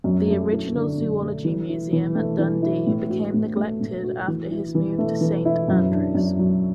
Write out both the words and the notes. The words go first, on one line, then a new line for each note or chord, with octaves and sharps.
The original Zoology Museum at Dundee became neglected after his move to Saint Andrews.
F#2
A3
E4
D3
F#2
A3
E3
E4
E3
A3
E3
E4
A2
F#4
A2
A3
A2
F#4
E3
E4
E3
A3
E3
E4
F#2
D4
F#2
F#3